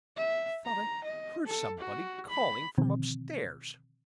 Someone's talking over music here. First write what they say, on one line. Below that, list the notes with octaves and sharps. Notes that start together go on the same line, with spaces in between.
I thought I heard somebody calling from upstairs.'
E5
A#5
D#5
A4
F#4
B5
B2 D3 D#3 F3 C4